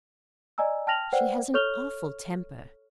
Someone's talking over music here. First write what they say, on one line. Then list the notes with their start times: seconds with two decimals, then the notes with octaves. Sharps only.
'She has an awful temper.'
0.58 D5 D#5 G#5 A#5 E6
0.87 G5 A5 F6 A#6 F7 F#7
1.12 B4 C5 D5 F#5 G5
1.54 A4 C#5 C#6 F6 F7 G7